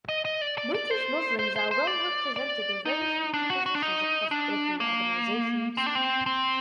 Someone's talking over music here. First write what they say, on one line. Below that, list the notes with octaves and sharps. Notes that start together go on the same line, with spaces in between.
British Muslims are well represented in various media positions across different organisations.
D#5
D#5
D5
D5
D5
C5
C5
C5
C5
D5
D5
D#4
D4
F#4
F#4
D4
D#4
D4
A#3
C4
D4
C4
C4